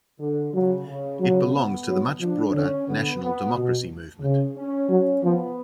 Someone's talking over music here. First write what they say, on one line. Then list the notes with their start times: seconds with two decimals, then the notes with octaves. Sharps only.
It belongs to the much broader National Democracy Movement.
0.20 D3
0.53 C#3 F#3
0.87 C#3
1.20 C#3 F#3
1.54 B3
1.88 F#3
2.20 F3 D4
2.54 D3 C#4
2.88 D3 B3
3.22 B3
3.55 B2
4.22 C#3
4.56 C#4
4.89 F#3 C#4
5.23 F3 B3